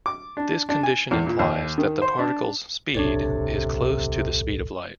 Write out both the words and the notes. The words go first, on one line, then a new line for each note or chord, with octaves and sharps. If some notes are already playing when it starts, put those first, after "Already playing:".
This condition implies that the particle's speed is close to the speed of light.
D6
D4
D4
G#5
E2
A#2
D#2
D#3
C5
D4
D1 B1 C3 D4 A4 C#5 D5